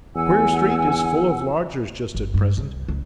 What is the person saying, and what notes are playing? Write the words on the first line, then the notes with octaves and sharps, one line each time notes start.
'Queer Street is full of lodgers just at present!
E2 F#5 G#5 E6
G1
G2
C2
C#2